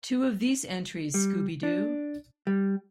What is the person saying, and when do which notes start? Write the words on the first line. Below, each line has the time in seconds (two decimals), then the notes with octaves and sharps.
Two of these entries, Scooby-Doo!
1.14 G3
1.63 D4
2.47 G3